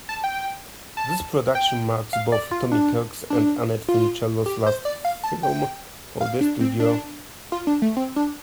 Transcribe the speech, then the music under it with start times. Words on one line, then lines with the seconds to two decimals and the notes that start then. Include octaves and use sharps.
This production marks both Tommy Kirk's and Annette Funicello's last film for the studio.
0.09 A5
0.24 G5
0.97 A5
1.55 G5
2.13 F5
2.32 D5
2.51 F4
2.72 D4
3.30 D4
3.88 F4
4.46 G4
4.66 C5
4.85 D5
5.05 F5
5.24 A5
5.43 G5
6.21 F5
6.41 D4
6.61 C4
6.80 D4
7.52 F4
7.67 D4
7.82 A3
7.97 C4
8.16 D4